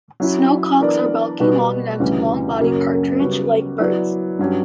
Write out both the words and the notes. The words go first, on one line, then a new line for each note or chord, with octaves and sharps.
Snowcocks are bulky, long-necked, long-bodied partridge-like birds.
F#3 C#4 E4
E3 B3 D4 A#4 D5
B2 G3 B3 F#4 B4
D2 C#3 E3 G3 C#4
F#2 C#3 F#3 A#3 C#4
C#3 G3 B3 F#4
F#3 B3 E4 B4 D5
G2 F#3 C#4 G4